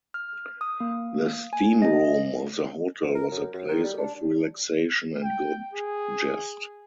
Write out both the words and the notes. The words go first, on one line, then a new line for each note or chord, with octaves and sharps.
The steam room of the hotel was a place of relaxation and good jest.
F6
D#6
A#3
G#5
D#5
F2
A#4
F#2
F#2
D#3
G3
D4
G5
G#4